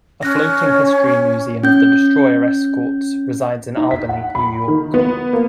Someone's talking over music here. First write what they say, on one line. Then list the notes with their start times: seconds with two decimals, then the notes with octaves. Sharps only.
A floating history museum of the destroyer escorts resides in Albany, New York.
0.23 C#4 F6 F#6 A#6
0.63 C#5
1.63 C#4 G6
3.77 D#4
3.91 B6
4.09 F#5
4.35 B5
4.68 D#3
4.94 B3
5.33 A#3